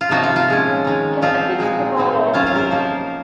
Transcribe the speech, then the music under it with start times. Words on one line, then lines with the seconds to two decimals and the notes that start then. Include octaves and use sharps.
Can Ethics Provide Answers?
0.01 F4
0.09 C3 F3 A#3 D#4 F#4
0.23 F4
0.36 F4
0.48 A#2 G#3 C#4
0.85 D#3 G#3 D#4
1.22 F3 C4 D#4 F4
1.58 A#2 G#3 D#4
1.97 A#2 F#3 C4 D#4
2.33 C3 F#3 C#4 F4
2.46 F4
2.55 A#4 C5
2.71 F3 A#3 D#4